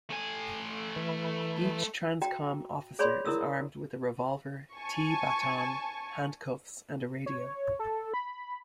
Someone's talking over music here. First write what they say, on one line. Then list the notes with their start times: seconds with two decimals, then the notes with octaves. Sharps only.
Each TransCom Officer is armed with a Revolver, T-baton, Handcuffs and a Radio.
0.10 A3 G#5
0.96 E3
2.22 F#4 G5 A#5
2.99 G#4 C#5 D5 B5 C6
3.25 E4 A#4 D#6 E6
4.75 G#5 A5 C#6
7.26 C#5
7.79 A4
8.14 B5